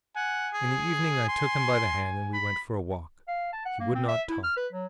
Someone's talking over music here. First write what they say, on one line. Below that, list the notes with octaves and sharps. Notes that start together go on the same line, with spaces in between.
In the evening I took him by the hand and we went for a walk; he would not talk.
F#5 G#5
G#4
C6
B5
F5
A5
F#5
A#3
C4
E5
E4
F6
B4
F#3